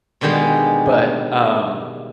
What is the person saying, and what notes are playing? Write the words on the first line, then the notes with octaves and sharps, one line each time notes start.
but, um,
B2 D3 D#3 G3 G#3